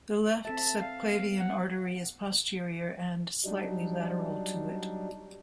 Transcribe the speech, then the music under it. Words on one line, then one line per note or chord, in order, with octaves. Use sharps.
The left subclavian artery is posterior and slightly lateral to it.
C4 A4 E5 A5
F5
B3
F#5
F#3 G3 D4 D#4